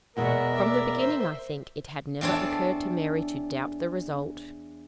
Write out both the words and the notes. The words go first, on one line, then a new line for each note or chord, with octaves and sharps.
From the beginning, I think, it had never occurred to Mary to doubt the result.
E2 B2 G#3 F#4 A#4 E5
D5 E5
C5 E5
E2 C4 D4 A4 C#5